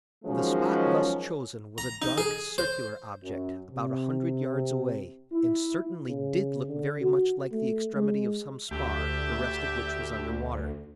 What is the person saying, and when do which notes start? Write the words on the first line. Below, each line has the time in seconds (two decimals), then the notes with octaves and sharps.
The spot thus chosen was a dark, circular object, about a hundred yards away, and certainly did look very much like the extremity of some spar, the rest of which was under water.
0.24 D#3 F3 F#3 G#3 C#4
1.78 A#5
2.02 D#4
2.18 G#4
2.58 C5
3.22 F#2
3.72 C3
5.33 E4
6.08 C#3
6.67 D3
7.01 F#4
7.52 A3
7.93 G#3
8.71 D2 D4 G4 E5